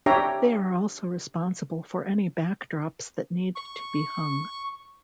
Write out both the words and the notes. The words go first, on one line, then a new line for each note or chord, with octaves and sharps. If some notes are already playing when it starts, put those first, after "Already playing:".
They are also responsible for any backdrops that need to be hung.
D4 G4 C#5 E5 G5 A#5
C#6